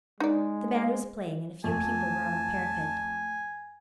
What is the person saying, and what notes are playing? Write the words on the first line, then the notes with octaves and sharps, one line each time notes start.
The band was playing, and a few people were on the parapet.
G#3 D#4 D5
F2 A3 G#5 A5